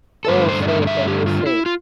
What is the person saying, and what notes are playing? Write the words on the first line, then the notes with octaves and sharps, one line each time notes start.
Oh Say Can You Say?
A4
G2 D3 A3 B4
C5
D5
E5
D5
E5
G4
F4
E4
F4